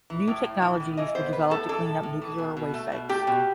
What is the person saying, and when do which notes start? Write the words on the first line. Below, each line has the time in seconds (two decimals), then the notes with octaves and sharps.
New technologies were developed to clean up nuclear waste sites.
0.10 E3
0.28 A2
0.45 A2
0.62 E3
0.80 A2
0.97 E3 D#5
1.15 B3 C5
1.33 B3 B4
1.50 A2 A4
1.69 E3 A4
1.85 A2
2.03 A2
2.21 E3
2.38 B2
2.57 B2
2.74 A3
2.92 B2
3.09 A3 G4
3.27 B2